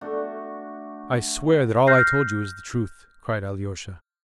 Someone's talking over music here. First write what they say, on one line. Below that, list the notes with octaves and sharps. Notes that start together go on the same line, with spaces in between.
"I swear that all I told you is the truth," cried Alyosha.
A3 D4 F#4
F6 G6 A#6 C7